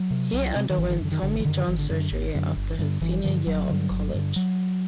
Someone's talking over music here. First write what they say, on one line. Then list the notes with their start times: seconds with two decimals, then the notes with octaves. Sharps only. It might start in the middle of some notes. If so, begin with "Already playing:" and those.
He underwent Tommy John Surgery after his senior year of college.
Already playing: F#3
0.11 C3
0.33 C2
0.56 C3
0.70 D#3
0.78 G#1 E3
0.89 D#3
1.00 F#2 D3
1.12 D#3
1.22 G#1 D3
1.40 E3
1.45 F#2 D3 D#3
1.67 G#1 E3
1.78 D3
1.90 F#2 D3
2.12 G#1
2.35 F#2 D3
2.56 G1
2.79 G2 D3
3.01 G1 E3
3.24 G2 D3 F3
3.46 G1 F#3
3.69 G2 D3
3.90 G1
4.14 G2 D3
4.36 F#3